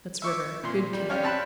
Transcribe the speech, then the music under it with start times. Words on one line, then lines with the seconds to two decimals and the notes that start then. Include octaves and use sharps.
Soot's River.--Good camp.
0.22 E5 C#6 D6
0.63 A#2 C6
0.93 G3
1.09 C#4 D4 G4 C#5 F5
1.23 C4 A5 B5 F#6